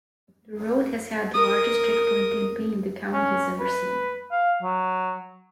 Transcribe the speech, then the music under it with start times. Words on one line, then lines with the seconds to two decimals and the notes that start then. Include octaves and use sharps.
The road has had the largest Checkpoint campaign the county has ever seen.
1.34 A#4 D#6
3.13 C#4
3.60 B4
4.31 F5
4.62 F#3